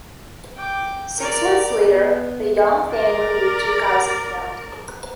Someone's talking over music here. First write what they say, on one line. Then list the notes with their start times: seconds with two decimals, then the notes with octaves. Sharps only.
Six months later, the young family moved to Geisenfeld.
0.57 G5 D6
1.18 A#4 D5
1.89 B3
2.92 A#4 D5